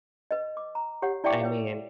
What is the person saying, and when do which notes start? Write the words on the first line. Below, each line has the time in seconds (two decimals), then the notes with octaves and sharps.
I mean,
0.31 B4 D#5
0.57 D6
0.75 A#5
1.02 G4 C#5 F#5
1.24 E4 D5 E5 G5 C#6 D6
1.42 B4 C#5 F5